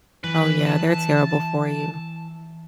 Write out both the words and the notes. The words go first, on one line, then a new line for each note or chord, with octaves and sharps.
Oh yeah, they're terrible for you.
E3 B4
A5